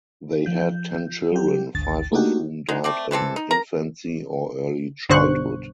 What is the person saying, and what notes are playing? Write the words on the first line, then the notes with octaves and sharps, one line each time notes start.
They had ten children, five of whom died in infancy or early childhood.
F3 G6
F#3 G4
G#1 D2 A6
A3 A#3 D4 D#4 F#4 G4
F#3 G#3 D#4
A3 C4 D5
E3 G3 C4 A4
D#4
A#4 A#5
B1 G2 D3 C5 C#6 F#6